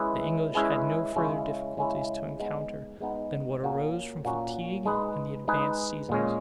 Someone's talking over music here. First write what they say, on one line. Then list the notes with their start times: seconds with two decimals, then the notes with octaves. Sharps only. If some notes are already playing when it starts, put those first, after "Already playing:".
The English had no further difficulties to encounter than what arose from fatigue and the advanced season.
Already playing: G#3 C#4 E4 G#4 B4
0.54 G#3 C#4 E4 G#4 B4
1.16 C#3 G#3 C#4 E4
1.77 C#3 G#3 C#4 E4
2.39 G#3 B3 D#4
3.00 G#3 B3 D#4
3.62 A#2 A#3 C#4 F#4
4.25 A#2 A#3 C#4 F#4
4.85 G#3 D#4 G#4 B4
5.48 G#3 D#4 G#4 B4
6.09 A#2 G#3 C#4